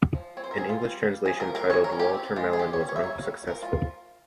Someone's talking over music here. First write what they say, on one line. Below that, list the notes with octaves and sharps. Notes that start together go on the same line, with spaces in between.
An English translation titled "Walter Melon" was unsuccessful.
F3
C4 C#5
C5
A#4
C4 G#4
F4
G3
G3
F3 G#4
A#4
F3
A#4
E3 C#5
A#4
C#4
G4
C4
G#3 F4
G#4
C#4 G4
C#5
G3
C#5
E5
A#3 C#5
G3
F3 A#4
F4